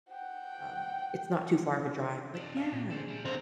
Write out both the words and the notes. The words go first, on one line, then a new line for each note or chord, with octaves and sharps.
um, it's not too far of a drive but yeah.
F#5 G5
D4 D#5
F5
A#2
G#4 A4 C5
G3 E4
D3 C4 A#5